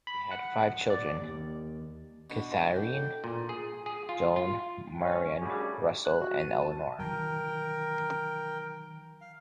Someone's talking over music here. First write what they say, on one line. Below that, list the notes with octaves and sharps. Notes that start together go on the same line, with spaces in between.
They had five children: Katharine, Joan, Marion, Russell, and Elinor.
B5
F#5
D5
D#2
B2 D4 E4
A4 G5
A#2
G#4
G#4
F4
F4
C#4
A#1 D#2 G3 A3 F#4 G#4
F#6
F#4
D#7
A5
D#3 E3 F#3 A#4 G5
F5